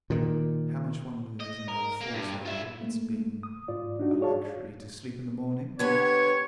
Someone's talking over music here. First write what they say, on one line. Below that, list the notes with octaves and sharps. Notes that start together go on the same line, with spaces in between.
How much one loses under a false idea of its being a luxury to sleep in the morning!
A#2 D#3
D#5
A#4
A#3
G2
F4 E5
A3 A#3
D#6
G#2 F4 D5
D4 D#4 F#4
F#4 G#4 C#5 D5 F5 A5
D3 B3 G4 C#5 G#6